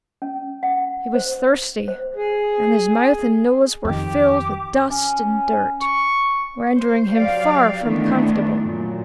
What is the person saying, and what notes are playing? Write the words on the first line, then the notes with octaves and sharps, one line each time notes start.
He was thirsty and his mouth and nose were filled with dust and dirt, rendering him far from comfortable.
C#4
F#5
C5
C5
G#4
F2 D#3 G4 D6
C#4
C#6
C5
F#3 G4 D5 F5
D#3 E3 A3 B3 D4
F#2 A#2